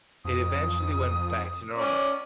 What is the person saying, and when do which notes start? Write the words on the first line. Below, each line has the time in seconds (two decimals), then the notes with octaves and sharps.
It eventually went back to normal.
0.25 F2 D#6
1.78 C#4 D5